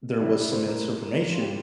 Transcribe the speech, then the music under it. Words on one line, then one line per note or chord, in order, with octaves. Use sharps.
there was some misinformation,
C3 E3 G3 D4 E4
C5
A#4
F4
G4